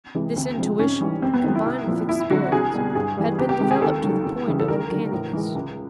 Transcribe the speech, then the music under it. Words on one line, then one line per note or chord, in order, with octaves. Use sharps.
This intuition, combined with experience, had been developed to the point of uncanniness.
C3 E3 G#3
D2 C4
C3 F3 G#3
G#2 C#4
E3 G3
F#2 C4
B3
D#3 F#3
E4
C2
A#2 F3
F2 E4
E4
D3 F#3 F#4
C2 G#4
B2 G3
G2 G#4
E3 G3
C#2 G4
G4
C3 D#3 G#3
G#4
D#2 A4
C#3 F#3
E2
C#3 E3 G3
A4
D#2 A#4
D3 F#3
A2
E3 G#3
C#2